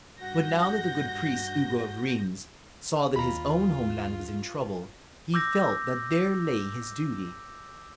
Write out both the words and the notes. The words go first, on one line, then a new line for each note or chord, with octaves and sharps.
But now that the good priest Ugo of Rheims saw that his own home land was in trouble, he felt that there lay his duty.
G2 F#4 G6 A#6
D#2 F4 A#5 B5
D6 E6 G6 A#6